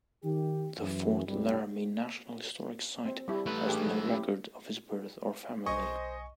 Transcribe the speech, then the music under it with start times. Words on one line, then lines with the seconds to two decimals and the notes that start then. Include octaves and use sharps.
The Fort Laramie National Historic site has no record of his birth or family.
0.24 D#3 G4
0.79 F#2 E3
1.26 C2 G2 B2 G3
3.05 C4
3.28 G3 E4
3.46 A3 B4
3.66 D4 G4 G#4
3.84 F#3 A4
4.06 C#4 E4 G4
5.66 B1 C5 D#5 G#5 C#6